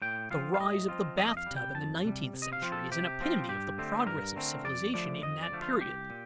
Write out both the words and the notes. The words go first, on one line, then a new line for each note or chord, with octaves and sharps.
The rise of the bath-tub in the nineteenth century is an epitome of the progress of civilization in that period.
A2 G5
F3 C4 F4 F5
F5
A2 D#5
F3 C4 F4
F2 D#5
D#5
F5
C3 G3
G5
F2 A5
C3 G3
C3
D#5
F5
F3 C4 F4
A4
C3 G4
F3 C4 F4
G2 G4
D3 A3 C4
G2 A#4
D3 A3 C4
F2 D5
D3 F3 A3 D5
F2 D#5
D5
D3 F3 A3
F4
C2 G4
A#2